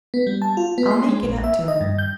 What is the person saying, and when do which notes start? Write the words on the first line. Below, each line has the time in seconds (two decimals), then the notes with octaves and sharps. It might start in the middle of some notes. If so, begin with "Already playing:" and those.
I'll make it up to him.
0.14 B3
0.27 G3
0.42 A5
0.57 F4
0.78 B3
0.91 C6
1.09 G#3
1.22 A#1
1.44 E5
1.68 D#5
1.81 G2
1.98 G6